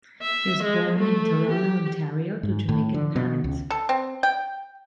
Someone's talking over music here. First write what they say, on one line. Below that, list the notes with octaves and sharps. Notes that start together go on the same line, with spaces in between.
He was born in Toronto, Ontario to Jamaican parents.
E5
G#3
A3
G4
G#2
A2
D3
B2
C#2
A4
C4
G5